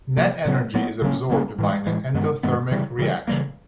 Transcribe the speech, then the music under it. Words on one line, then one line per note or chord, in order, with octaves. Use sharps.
Net energy is absorbed by an endothermic reaction.
C3 F3 A#3
A#2 F#3 B3
A#2 F#3 B3
C#3 F#3 A#3 C#4
C#3 F#3 A#3 C#4
A2 E3 G#3
A2 E3 G#3
G2 D#3 G#3 B3
G2 D#3 G#3 B3
C#3 E3 G3
C#3 E3 G3
C#3 E3 G3 A#3